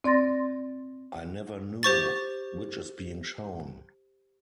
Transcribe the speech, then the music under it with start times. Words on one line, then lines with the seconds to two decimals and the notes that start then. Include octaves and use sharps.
I never knew which is being shown.
0.04 C4 D5 C6 A6 A#6
1.83 G4 C5 C#6 A6